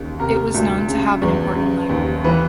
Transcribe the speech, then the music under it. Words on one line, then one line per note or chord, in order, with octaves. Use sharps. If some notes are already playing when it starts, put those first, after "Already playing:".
It was known to have an important library.
Already playing: D#2 C#3
C3 A#4
D2
C#3
E2
C#3
D#2
E3 B4